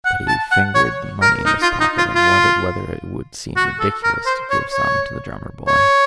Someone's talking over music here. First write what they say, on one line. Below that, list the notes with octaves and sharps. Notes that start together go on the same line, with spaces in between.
But he fingered the money in his pocket and wondered whether it would seem ridiculous to give some to the drummer boy.
F#5
A5
F#5
C#5
A#4
D#4
F4
D#4
F4
F4
F#4
A4
A#4
C5
C#5
C#5
C#5